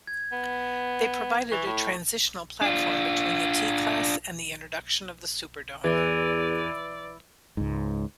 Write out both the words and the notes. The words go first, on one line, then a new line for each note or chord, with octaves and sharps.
They provided a transitional platform between the T-class and the introduction of the Superdome.
G#6
B3
E3 C#6 B6
A2
D4 F4
E2 E3 D5
C#2 G#2